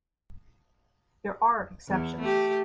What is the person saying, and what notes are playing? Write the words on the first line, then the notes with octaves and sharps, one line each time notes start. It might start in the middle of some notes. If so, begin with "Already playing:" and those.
There are exceptions.
E2
A3 G4